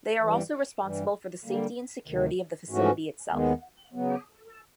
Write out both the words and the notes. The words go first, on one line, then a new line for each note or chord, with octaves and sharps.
They are also responsible for the safety and security of the facility itself.
G2 E3 G3
G2 E3 G3
D3 G3 A#3
D2 C3 D#3
G#2 E3 A3 C#4 F#4
D#2 D#3 G#3 B3
C#3 F#3 B3